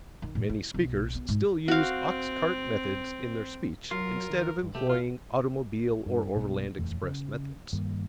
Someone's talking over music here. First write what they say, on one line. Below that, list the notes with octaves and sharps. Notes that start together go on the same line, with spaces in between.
Many speakers still use ox-cart methods in their speech instead of employing automobile or overland-express methods.
D#3
A2
E4
B1
B3
G#2
C4 F#4 F5
F#3 F4 A#4
D#3
G2
B2 A3 G4
F4
G2
B1 B2 G#3 B3
D#1 F2 E3 A3
C#3
G2 D#3 G3 A#3